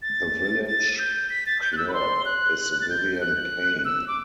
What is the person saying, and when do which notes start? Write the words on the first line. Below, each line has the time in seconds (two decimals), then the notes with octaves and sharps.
The Village Clerk is Vivian Payne.
0.02 A6
0.66 A6
0.99 G6
1.30 B6
1.46 A6
1.62 G6
1.73 F#6
1.78 E6
1.88 B5
1.94 C6
2.25 F#6
2.81 A6
2.89 G6
3.15 G6
3.21 F#6
3.85 E6
4.08 D6